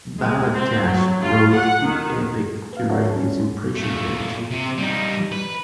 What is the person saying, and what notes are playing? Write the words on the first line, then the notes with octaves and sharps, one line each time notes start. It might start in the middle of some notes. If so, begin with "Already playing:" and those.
Balagtas wrote the epic during his imprisonment.
G#3
C4
F#3
F4
F#5
D#3
B4 F5
A#4 C#5 D5 E5 F#5 A5
G3 C#4
A#2 A3
C3
G3 D#4
B4